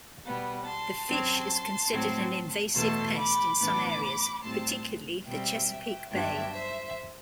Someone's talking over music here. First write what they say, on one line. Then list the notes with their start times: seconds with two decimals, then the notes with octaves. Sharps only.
The fish is considered an invasive pest in some areas, particularly the Chesapeake Bay.
0.25 B2 G3 B3
0.66 A5 C6
1.08 F#2 F#3 C4
1.91 A2 F#3 C4
2.75 E2 B2 A3 A5 C6
3.17 B5 D6
3.59 A2 E3 B3 D4 B5 D6
4.43 A2 G3 C4 A5 C6
5.26 B2 G3 C4 E5 G5
6.10 G2 F#3 B3 D4 E5 G5
6.52 C5 E5